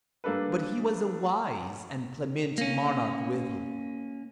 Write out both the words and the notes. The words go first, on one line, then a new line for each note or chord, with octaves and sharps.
But he was a wise and clement monarch withal.
G3 A#3 D4 A4 B4
A#3 C#4